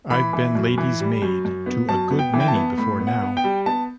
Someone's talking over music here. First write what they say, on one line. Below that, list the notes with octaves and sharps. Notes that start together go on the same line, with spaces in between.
I've been lady's maid to a good many before now.
E3 B5
E3
F#2
E3
G3
F#2
F#2
B3
F#2 A5
B3
G5
E3
G5
A5
B3
A2 B5
B3
F#5
B3
G5
G3
B3 A5